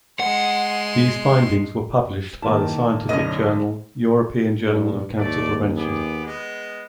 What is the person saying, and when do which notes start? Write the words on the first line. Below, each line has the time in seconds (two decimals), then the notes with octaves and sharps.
These findings were published by the scientific journal European Journal of Cancer Prevention.
0.20 G#3 F#5 C6
2.42 D#3 A#3 E4 A5
3.09 B1 F#2 A2 D3 C#4 D#5
4.68 G2
5.17 D#2 A3 D5 D6
5.77 B3 G#4 D6
6.25 G#3 B3